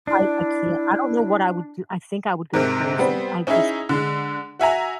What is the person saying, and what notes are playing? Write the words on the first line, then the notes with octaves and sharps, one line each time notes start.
I I can't. I don't know what I would do. I think I would go crazy. I just
D4 E4
G#2 C3 A#4
G3 B3 C4
C#4 D#4 E4 G#4 E5
D3 G#3
F#4 E5 G#5 A#5